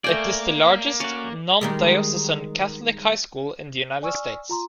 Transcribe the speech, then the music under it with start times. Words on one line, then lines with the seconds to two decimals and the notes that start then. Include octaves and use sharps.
It is the largest non-diocesan Catholic high school in the United States.
0.04 A3 A#3 D5 G5 G#5
1.00 C#4 F#4 D5
1.61 D#3 G3 G#3
4.02 D5 G#5 C#6 E6 F6
4.49 F4 A#5 C6